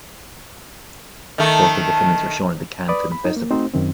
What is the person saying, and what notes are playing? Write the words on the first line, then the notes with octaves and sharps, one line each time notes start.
Both of the films were shown at the Cannes Film Festival.
D#3 A3
B4 D5 B5 D#6
B5
D#4
A#3
A3 C4 D#4 F#4 C5
F#2 D#3 C4